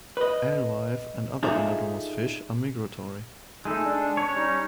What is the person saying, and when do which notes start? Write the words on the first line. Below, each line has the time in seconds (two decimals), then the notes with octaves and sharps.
Alewife and other anadromous fish are migratory.
0.17 B4 D#5
1.43 D4 D#4 F4 G#4 A4 E5
3.65 G#3 A3 D#4 G#4 A4
3.85 D4
4.17 C#4 C#5
4.35 G3 D#4